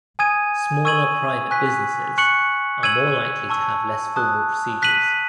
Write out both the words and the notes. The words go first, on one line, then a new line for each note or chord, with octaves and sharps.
Smaller private businesses are more likely to have less formal procedures.
G#5 D#6 G#6 D#7
C#6 E6 G#6 D#7 F#7
G#5 C#6 F#6 B6
C#6 F#6 C#7 F#7
E6 G#6 D#7 F#7
A5 C#6 E6
A5 D#6 F#6
F#6 B6 D#7 F#7